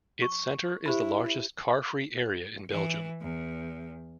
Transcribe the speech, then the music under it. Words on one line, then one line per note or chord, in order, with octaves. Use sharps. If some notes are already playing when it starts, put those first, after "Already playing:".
Its centre is the largest carfree area in Belgium.
C#6
E4 G4 C5 B5
E3
E2